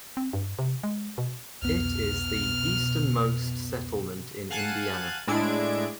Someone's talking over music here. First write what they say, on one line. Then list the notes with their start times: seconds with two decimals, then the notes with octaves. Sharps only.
It is the easternmost settlement in Indiana.
0.17 C4
0.33 G2
0.59 C3
0.83 G#3
1.18 B2
1.62 C2 F2 B2 B3 F6
4.50 F5 F#5 G#5 A5 F#6 D#7
5.27 A2 G#3 D4 E4 G#6 D7